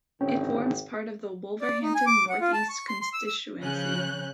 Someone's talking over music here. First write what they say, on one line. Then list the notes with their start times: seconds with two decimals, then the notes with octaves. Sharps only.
It forms part of the Wolverhampton North East constituency.
0.21 G#1 C#2 D3 C4 C#4 E4 G5
1.61 D5
1.83 D#4
1.95 G#5
2.07 D6
2.29 F#5
2.41 F4
2.53 A5
2.69 C#6
2.88 C6
3.01 C6
3.13 E6
3.27 E6
3.61 C#3 F3 C#4 F#6 G6